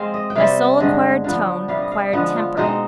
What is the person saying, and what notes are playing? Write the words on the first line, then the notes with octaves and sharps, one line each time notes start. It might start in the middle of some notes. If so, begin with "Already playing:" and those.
My soul acquired tone--acquired temper.
Already playing: G#3 C4 F5
D#5
G5
C3 G3 C4 F5
G2 D3 G#3
D3 F3 B3 F5
C3 G3 B3 F5
D#5
F5
D3 F3 G#3 B3
F4
B2 G#3 C4 D#4